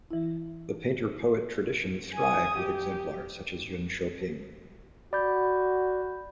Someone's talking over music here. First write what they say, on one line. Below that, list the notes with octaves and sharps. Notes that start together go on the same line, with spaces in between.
The painter-poet tradition thrived with exemplars such as Yun Shouping.
E3 E4
G#5 D#6
G4
F#4 D5 B5 G6